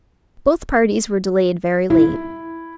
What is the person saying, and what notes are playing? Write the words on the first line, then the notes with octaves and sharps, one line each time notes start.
Both parties were delayed very late.
E4